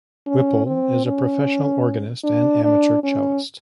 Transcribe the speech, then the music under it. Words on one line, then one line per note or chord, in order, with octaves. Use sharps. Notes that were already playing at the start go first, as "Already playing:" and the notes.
Whipple is a professional organist and amateur cellist.
C#4
C4
C#4
D4
D4
C#4